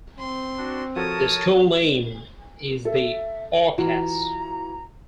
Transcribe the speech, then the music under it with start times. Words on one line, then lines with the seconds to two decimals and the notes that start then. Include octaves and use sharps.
The school name is the "Orcas".
0.19 C4 C6
0.57 D4 F#4
0.96 F3 F#4 A4 A#4 C#5 A5 D#6
2.85 A4 E5
3.78 E3 F4 F#4 A#5